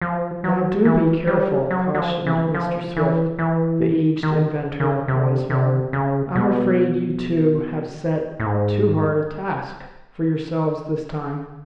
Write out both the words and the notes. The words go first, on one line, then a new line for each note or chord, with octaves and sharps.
"Now do be careful," cautioned Mr. Swift, the aged inventor, once more. "I'm afraid you two have set too hard a task for yourselves this time."
F3
F#3
E3
G3
F#3
F#3
F3
E3
F3
E3
E3
D#3
C#3
C3
C3
C#3
B2
A2
G#2